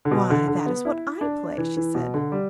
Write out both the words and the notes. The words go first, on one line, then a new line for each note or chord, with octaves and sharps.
'Why, that is what I play!' she said.
D3
B2
D3
D3
B3
E4
D4
E3
E3
B2
D3
G3